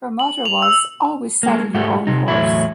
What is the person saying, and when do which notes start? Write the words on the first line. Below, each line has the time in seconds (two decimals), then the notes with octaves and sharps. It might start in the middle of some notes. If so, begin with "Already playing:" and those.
Her motto was, Always saddle your own horse.
0.19 F#7
0.45 F7
0.62 E6
1.43 G#3 A#3
1.74 G#2 A3 F#4 G4
2.07 C3 D#4
2.28 E2 A2 F#3 A3 E4